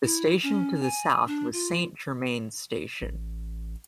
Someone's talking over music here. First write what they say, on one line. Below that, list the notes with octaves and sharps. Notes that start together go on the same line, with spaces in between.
The station to the south was Saint Germain's station.
E4
C#4
G#5
D4
F4
A1